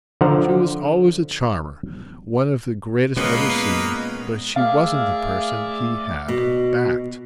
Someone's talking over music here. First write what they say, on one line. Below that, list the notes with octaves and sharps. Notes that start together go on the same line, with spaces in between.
She was always a charmer, one of the greatest ever seen, but she wasn't the person he had "backed."
D3 F3 C5 F5 F#5 A#5
A#2 G#3 A#3 B3 C#4 B4 D#5
A3 G#4 A#4 D5 E5 F5 D6
B2